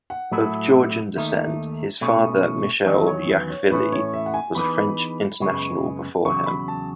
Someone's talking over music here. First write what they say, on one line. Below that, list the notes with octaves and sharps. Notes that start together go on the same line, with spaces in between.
Of Georgian descent, his father Michel Yachvili was a French international before him.
F#5
A2 F#3 A3 E4
D#2 D#3 A3 D#4 E5
B2 A3 C#4
E2 D#3 F#3 C#4 D#5
C#5
B4
C#5
A2 E3 A3 C#4 B4
C#5
E5
F#5
G#5
E3 B3 D#4 G#4 B4 B5
F#2 C#3 G#3 B3
E2 C#3 F#3 C#6
B5
A5